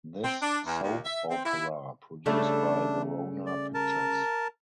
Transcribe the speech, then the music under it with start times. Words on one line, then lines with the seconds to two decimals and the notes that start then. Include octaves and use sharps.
This soap opera produced by Verona Pictures.
0.24 C4
0.42 D4
0.66 E2
0.82 D#2
1.04 E5
1.30 C4
1.44 E4
2.26 C#3 G3 A3 D4
3.47 D5
3.74 A#4 A5